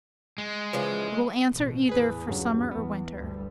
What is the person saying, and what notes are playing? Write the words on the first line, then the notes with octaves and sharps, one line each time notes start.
It will answer either for summer or winter.
G#3
C#3 E3 F3
A1 B2
E2 A2 G#4 B4
G2 C#3 F#3
E2 B3
D2 G2 G3